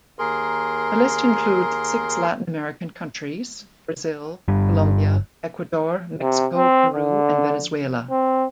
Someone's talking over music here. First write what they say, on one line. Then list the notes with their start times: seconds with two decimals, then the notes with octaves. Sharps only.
The list includes six Latin American countries: Brazil, Colombia, Ecuador, Mexico, Peru and Venezuela.
0.19 D#2 G#4 A#4 C6
4.48 G1 G2 G3
6.21 C3
6.53 C4
6.94 D3
8.10 C4